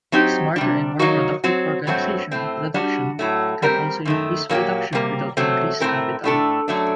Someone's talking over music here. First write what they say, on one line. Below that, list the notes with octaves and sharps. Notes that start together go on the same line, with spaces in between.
Smarter and more productive organization of production can also increase production without increased capital.
F#3 C4 D#4 G4
C3 G3 D4
D#3 F#3 A#3 D#4 F#4
F#3 C4 F#4
G2 F#3 A3 C4 F#4
A2 A3 C4
G3 D4 F#4
A2 F#3 A3
G3 C4 G4 A#4
F#2 D#3 A3
A#2 F#3 A#3 D4 G4
C3 G3 A#3
C3 F#3 A3 C4
A2 A3 C4 G4 A#4
A2 A3 D4 A4
F#2 F#3 A3 D4